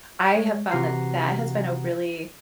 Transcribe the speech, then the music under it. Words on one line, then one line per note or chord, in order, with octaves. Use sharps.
I have found that that has been a really
G#3 C#5
C3 E3 F#4 F#5 A#5 C7